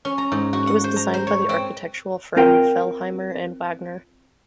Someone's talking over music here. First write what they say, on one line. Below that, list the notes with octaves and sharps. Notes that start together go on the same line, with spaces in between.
It was designed by the architectural firm Fellheimer and Wagner.
C#4
A#5
G#2
F#4
F#5
C5
A#5
C5
C#5
C4
C4 F4 A#4 G5